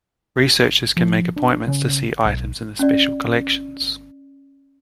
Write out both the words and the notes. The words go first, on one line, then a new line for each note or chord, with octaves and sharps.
Researchers can make appointments to see items in the special collections.
F3
D4
C#3
B1
C#4 D5